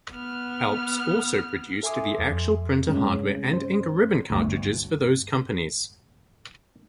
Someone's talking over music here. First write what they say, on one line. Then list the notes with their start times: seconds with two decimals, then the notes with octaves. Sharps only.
Alps also produced the actual printer hardware and ink ribbon cartridges for those companies.
0.12 B3 F6
1.83 A4 E5 G#5 C6 D6 D#6
2.19 F2
2.89 G2 C3 G#3 C#4
3.54 C5
4.30 G1 D2